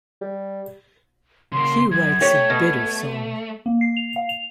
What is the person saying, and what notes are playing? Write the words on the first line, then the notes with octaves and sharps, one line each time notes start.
He writes a bitter song.
G3
C#3 A#3 C6
F#2 G#6
A3 G4 C#5
B2
A#3
C7
F7
F5
F7